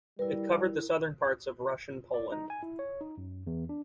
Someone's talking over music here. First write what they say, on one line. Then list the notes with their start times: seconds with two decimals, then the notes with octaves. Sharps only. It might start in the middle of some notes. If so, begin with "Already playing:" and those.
It covered the southern parts of Russian Poland.
0.19 G3 E4 A#4 B4
2.14 D5
2.32 D#4
2.50 G#5
2.63 E4
2.79 C#5
3.01 D#4
3.17 F#2
3.47 E2
3.69 D4